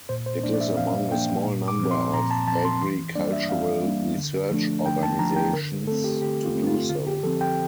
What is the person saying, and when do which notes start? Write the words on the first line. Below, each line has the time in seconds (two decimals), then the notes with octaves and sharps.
It is among a small number of agricultural research organisations to do so.
0.09 A#2 C5
0.26 C5
0.43 F3 A#3 D4 D5
0.54 D5
0.61 E5
0.77 A#2 F5
1.11 F3 A#3 D4 G5
1.46 A#2
1.68 D6
1.79 F3 C4
1.91 C6
2.13 A#2 A#5
2.31 A5
2.47 F3 A5
2.52 C4
2.65 C6
2.81 E3 C6
3.15 G3 A#3 D4 D5
3.33 E5
3.49 E3 F5
3.84 G3 A#3 D4
4.17 D3
4.51 F3 A3 D4
4.86 D3 G5
5.03 A5
5.19 F3 A3 D4 A#5
5.36 G5
5.53 D3 A#4
5.87 A3 A4
5.92 C4
6.04 G4
6.22 D3 G4
6.44 F4
6.55 A3 C4
6.67 F4
6.89 D3 F4
7.07 G4
7.23 F3 C4 A4
7.41 G5